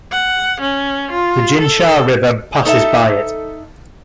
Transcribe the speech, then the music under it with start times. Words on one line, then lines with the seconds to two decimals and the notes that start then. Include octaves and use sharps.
The Jinsha River passes by it.
0.12 F#5
0.61 C#4
1.11 F4
1.60 A4
2.65 D#4 A4 A#4 E5